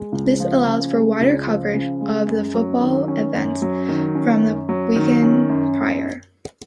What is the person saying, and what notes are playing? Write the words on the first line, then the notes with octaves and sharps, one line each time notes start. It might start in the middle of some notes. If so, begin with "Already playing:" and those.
This allowed for wider coverage of the football events from the weekend prior.
Already playing: G#3
C#2
F3
C#3
G#3
C#2
F3
C#3
G#3
F#2
F#3
D#3
C#4
F#2
F#3
D#3
C#4
F#2
F#3
D#3
C#4
F#2